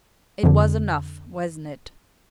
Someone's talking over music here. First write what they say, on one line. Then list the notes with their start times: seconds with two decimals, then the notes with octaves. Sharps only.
It was enough, wasn't it?
0.43 F2 D3